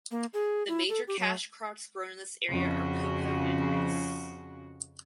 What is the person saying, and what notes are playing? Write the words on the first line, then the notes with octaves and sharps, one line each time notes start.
The major cash crops grown in this area are cocoa and Rice.
A#3
G#4
E4
A4
G4
F#3
F2 C#3 F#4